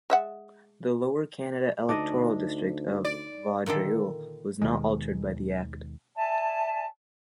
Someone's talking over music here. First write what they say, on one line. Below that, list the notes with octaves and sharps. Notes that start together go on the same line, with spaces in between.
The Lower Canada electoral district of Vaudreuil was not altered by the Act.
G#3 E5 F#5
D2 D4 D#4 D5 D#5
D5
A#2 D3 D#3 A4
D#2 B2 D#3 G#3
D5 E5 G#5 A5